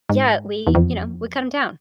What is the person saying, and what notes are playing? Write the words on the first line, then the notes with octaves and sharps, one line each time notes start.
yeah, we you know, we cut 'em down.
G#2
E2
F2